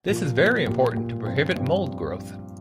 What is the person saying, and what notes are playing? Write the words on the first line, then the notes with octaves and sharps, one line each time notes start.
This is very important to prohibit mold growth.
A#2 F3 A#3 F4
A#2 F3 A#3 F4
A#2 A#3 G4
A#2 A#3 G4
G2 F3 C4
G2 F3 C4